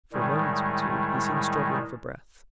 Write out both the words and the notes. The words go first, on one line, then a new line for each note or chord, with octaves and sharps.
For a moment or two he seemed struggling for breath.
A2 D#3 G3 G#3